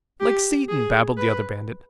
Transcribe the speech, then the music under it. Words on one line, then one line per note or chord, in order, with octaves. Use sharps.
"Like Satan!" babbled the other bandit.
G4
G#4
B4